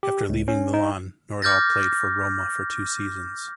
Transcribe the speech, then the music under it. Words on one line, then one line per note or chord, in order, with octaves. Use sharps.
After leaving Milan, Nordahl played for Roma for two seasons.
G4
C#2
C#4
D#4
D6 F6 G6 A6 A#6